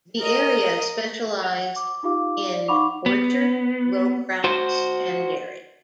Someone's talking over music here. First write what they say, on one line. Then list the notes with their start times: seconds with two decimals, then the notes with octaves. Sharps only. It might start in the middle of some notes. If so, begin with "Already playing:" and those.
The area specialized in orchard, row crops and dairy.
0.18 A#4 D#5
1.43 F#5 F7
1.76 D6
2.03 D#4 F4 G4 F5 D6
2.53 D5 F5
2.68 D#4 F#5 B5 C#6 D6 F7
3.06 B3
4.44 F#4 C5